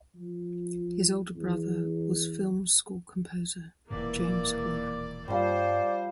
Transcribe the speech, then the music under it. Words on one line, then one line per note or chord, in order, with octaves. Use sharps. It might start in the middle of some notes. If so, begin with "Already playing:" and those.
His older brother was film score composer James Horner.
F3
E2
E1 D#2 A#2 E3 A#3 D5
G2 F3 G3 C5 D5